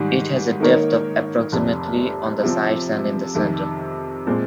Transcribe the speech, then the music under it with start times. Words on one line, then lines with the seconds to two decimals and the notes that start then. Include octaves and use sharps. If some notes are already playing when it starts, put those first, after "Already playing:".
It has a depth of approximately on the sides and in the center.
Already playing: G#2 D#3 G3
0.60 D#3 A#3 D#4 A#4 C#5
1.52 F1 F2 C3
2.43 C3 F3 C4
3.35 F2 C3 D#3
4.27 A#2 G#3 C4